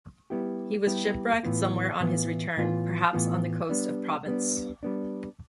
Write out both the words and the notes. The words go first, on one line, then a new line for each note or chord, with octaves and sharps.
He was shipwrecked somewhere on his return, perhaps on the coast of Provence.
G3 B3 E4 G4
G3 B3 E4 G4
A2 E3 B3 F4
A2 E3 B3 F4
A2 E3 B3 F4
A2 E3 B3 F4
G3 B3 D4
G3 B3 D4
G3 B3 D4